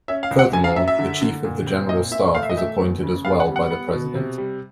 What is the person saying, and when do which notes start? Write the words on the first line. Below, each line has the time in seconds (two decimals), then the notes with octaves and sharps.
Furthermore, the Chief of the General Staff is appointed as well by the President.
0.08 C#4 E5
0.23 F5
0.31 C#2
0.39 F#5
0.53 F#2 G#5
0.64 F5
0.76 F#2 E5
0.88 E5
0.99 D3
1.22 D3
1.44 A#2
1.67 C4
1.89 A#2 D#5
2.11 A#2 E5
2.35 A3 F5
2.43 E5
2.50 D#5
2.57 A3 E5
2.80 E2
3.03 C#3
3.25 B3 F5
3.40 F#5
3.48 G3
3.56 F#5
3.71 B3
3.93 B2
4.15 C3
4.38 G3